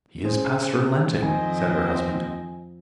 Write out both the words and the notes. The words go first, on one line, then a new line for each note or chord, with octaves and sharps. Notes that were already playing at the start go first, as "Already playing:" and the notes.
"He is past relenting," said her husband.
C#4 G#4 C5
F2 D#3 C4 D#5 G#5